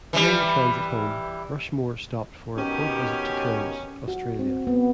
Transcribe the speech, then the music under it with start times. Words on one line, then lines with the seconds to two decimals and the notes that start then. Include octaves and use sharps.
During the transit home, "Rushmore" stopped for a port visit to Cairns, Australia.
0.13 E3 G3
2.57 B2 D#3 C#4 G4
4.08 F#4
4.39 C4
4.67 B3